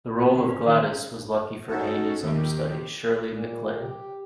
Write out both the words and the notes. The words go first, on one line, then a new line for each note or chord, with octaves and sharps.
The role of Gladys was lucky for Haney's understudy, Shirley MacLaine.
B3
D3
C#4
D#3
C#4
C#4 D#4 F#4 A4
D#2 D#3 G4
A#2
G4